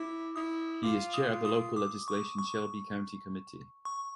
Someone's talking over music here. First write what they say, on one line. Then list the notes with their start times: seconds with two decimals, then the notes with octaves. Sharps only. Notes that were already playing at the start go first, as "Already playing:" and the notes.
He is chair of the Local Legislation Shelby County Committee.
Already playing: E4 D6
0.36 E4 D#6
0.83 F4 D6
1.14 D#6
1.30 F4
1.45 D#6
1.76 D6
2.08 C#6
2.38 C#6
3.85 C#6